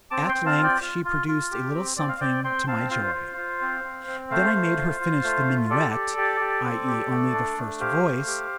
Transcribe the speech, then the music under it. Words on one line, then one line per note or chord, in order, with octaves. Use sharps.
At length she produced a little something to my joy. Then I made her finish the minuet, i.e. only the first voice.
C4 A5 D6
G5 C6
C4
F5 A5
F4
D5 G5
F4
F4
F4
G4
C4
C4 D5
F5
C4 D5 G5
C4 G5 C6
C4 F5 A5
F4 C5 F5
F4
F4
C4
C4
C4
A3 C5 F5
A3
F4
F4
A3
F4
G4 A4 D5
G4
G4
G4
C4
G4
A3
D4
A3
G4 C5 F5
A3
G4